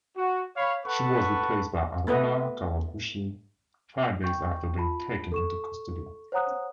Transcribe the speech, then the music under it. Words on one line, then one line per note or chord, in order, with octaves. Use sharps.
She was replaced by Haruna Kawaguchi five days after being taken into custody.
F#4
C#5 F5 B5
A4 B4 F#5 A5 B5 C#6
A3 B3 B4 D#5
G5 C#6 G6
F4 A5 B5
A4 C#6 E7
C5 C#5 F#5 A#5 D#6 F#6